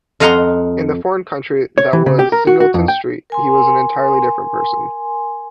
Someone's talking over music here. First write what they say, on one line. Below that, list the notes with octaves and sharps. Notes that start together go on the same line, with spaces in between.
In the foreign country that was Singleton Street he was an entirely different person.
F2 D#5 F5 F#5 A#5 C6
C#5
E3
C#3
G4
A#4
F#4
F#4
F2
G5
A#4 G#5 C6